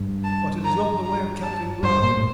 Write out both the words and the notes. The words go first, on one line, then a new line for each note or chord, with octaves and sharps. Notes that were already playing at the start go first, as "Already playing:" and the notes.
But it is not the way of Captain Blood.
Already playing: G2
A5
A#5
A#5
A5
G2 C5
A#2
A2